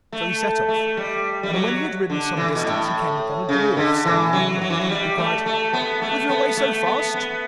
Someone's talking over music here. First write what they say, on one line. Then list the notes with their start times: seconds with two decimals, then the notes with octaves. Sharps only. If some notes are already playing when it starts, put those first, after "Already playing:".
So he set off, and when he had ridden some distance he came upon a Dwarf standing in the road, who cried, 'Whither away so fast?'
0.12 A3
0.68 A3
0.97 G3
1.43 G3
1.53 F#3
2.10 D3
2.37 E3
2.55 B2
2.65 A2
3.49 C#3
3.77 D3
4.05 E3
4.33 F#3
4.61 F#3
4.70 E3
4.80 F#3
4.89 G3
5.18 A3
5.46 A3
5.73 B3
6.02 A3
6.29 B3
6.57 A3
6.86 B3
7.14 B3